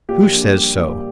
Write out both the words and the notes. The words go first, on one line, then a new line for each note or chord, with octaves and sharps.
"Who says so?"
A#2 G4
A#1
G3
A#2